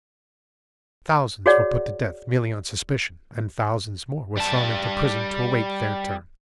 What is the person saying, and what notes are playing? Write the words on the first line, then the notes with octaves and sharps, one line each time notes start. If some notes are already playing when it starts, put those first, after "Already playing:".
Thousands were put to death merely on suspicion, and thousands more were thrown into prison to await their turn.
F#4 G#4 C#5 D5 F#5
G3 A5